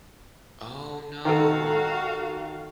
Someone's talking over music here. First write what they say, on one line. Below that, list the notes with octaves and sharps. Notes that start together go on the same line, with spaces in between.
Oh, no.
D#3 F#4 A4 F5